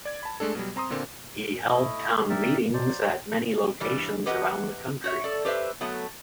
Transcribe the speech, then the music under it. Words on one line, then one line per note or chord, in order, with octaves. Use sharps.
He held "town meetings" at many locations around the country.
D5 G#6
A5 B5
G#3 A3 D4 A4
B2 F#3 G3
C4 A#5 C6 D#6
A#2 D3 A#3 C4
A3 E4 D#5
G4 A#4 D5 E5
F#3 C5 D5
G2 A#2 E3 G3
E2 G4 B4 D#5 F#5
F#4 C#5 E5
A4 D5
G4 B4 C5 E5
F#3 A3 B3